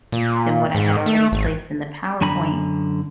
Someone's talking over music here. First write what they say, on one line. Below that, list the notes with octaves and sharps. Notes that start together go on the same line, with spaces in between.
than what I had already placed in the PowerPoint,
A#2
G#2
A3
G#1
F#2 D3 G#5 A#5 B5